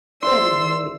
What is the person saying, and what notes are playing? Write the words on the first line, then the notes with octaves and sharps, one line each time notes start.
That is neat.
E4 G#4 C5 D5 C6 E6